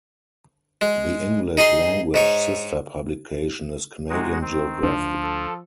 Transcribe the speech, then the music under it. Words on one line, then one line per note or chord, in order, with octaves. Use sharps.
The English-language sister publication is "Canadian Geographic".
G#3
D#4 G#4 D#5 C6
G#2 D#4 C#5
C3 G#3 D#4 F#4
D#3 C4
D2 F3 D4
A4